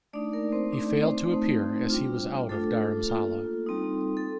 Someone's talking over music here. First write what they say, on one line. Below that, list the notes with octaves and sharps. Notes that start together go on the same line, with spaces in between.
He failed to appear as he was out of Dharamsala.
A3 D4 D#4 D5
A#3 A#4
C4 C5
A3 D4 D#4 D5
C4 C5
A3 C4 D#4
G3 D4 F4
A3 D4 F4 A4
A#3 F4
G3 C4 D#4
A4